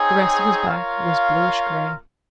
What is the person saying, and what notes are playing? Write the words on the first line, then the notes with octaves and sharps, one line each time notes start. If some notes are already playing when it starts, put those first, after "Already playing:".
The rest of his back was bluish-gray.
Already playing: C4 D#4 G#4 C#5
F4 A#4 C#5 F5